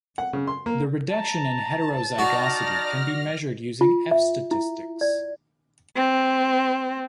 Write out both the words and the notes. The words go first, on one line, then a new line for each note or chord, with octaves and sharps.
The reduction in heterozygosity can be measured using "F"-statistics.
F#5
C#3
C6
A#3
A5 A#5
D#4 F#4 D5 F6 A#6
F4
E5
E4
D5
C4